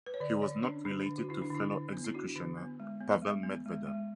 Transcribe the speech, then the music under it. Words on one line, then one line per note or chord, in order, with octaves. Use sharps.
He was not related to fellow executioner Pavel Medvedev.
B4
C#5
D3 D5
D3 C#5
C#4 D4
D3 D4
D3
F#4
D3 E4
D4
D3 E4
D3
B3
E4
D4 F#4
D3
B3
G#3
B3
G#3
B3
G#3
G#3